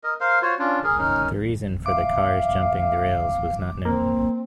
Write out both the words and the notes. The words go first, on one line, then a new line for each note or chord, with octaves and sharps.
The reason for the cars jumping the rails was not known.
A#4 D#5
A#4 C5 F5
F4 F#4 C5 C#5
C#4 D4 F4
G#4 A#4
C#4 D#4 A#4
E5 F5 D6
A#3 C4